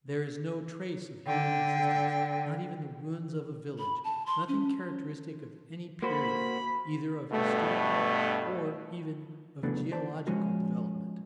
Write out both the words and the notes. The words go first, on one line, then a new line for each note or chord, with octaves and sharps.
There is no trace of human existence, not even the ruins of a village; nothing characteristic of any period, either of historical or even of geological development.
D3 G5
B5
A5
C6
C#4
A#3 F#4 C5 B5
G2 B2 A3
C#3 E3 F#3 A3 B3 D4
C5 D5 A5
F3 G#3 C#4 F4 F#4